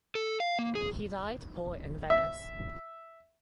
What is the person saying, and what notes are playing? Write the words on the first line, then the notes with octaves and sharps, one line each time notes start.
He died poor in Venice.
A4
F5
A#3
G#4
E5